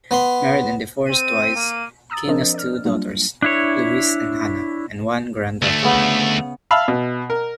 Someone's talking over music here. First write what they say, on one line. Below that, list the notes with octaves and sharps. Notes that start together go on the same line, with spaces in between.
Married and divorced twice, King has two daughters, Louise and Hannah, and one granddaughter.
B3 B5 C6
C4 D#7
A#3
A#5 D#6 E6 A6
F3 C4 D4 A#4 C5 D#5
D5 F6
F#3 G3 A#3 D4 F4
D4 E4 C#5
D2 A3
C#3 B3
E5 F5 A5 B5 E6 F6
B2
A#4